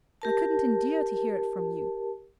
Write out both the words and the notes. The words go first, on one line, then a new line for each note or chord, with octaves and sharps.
I couldn't endure to hear it from you.
G4 A#4 A5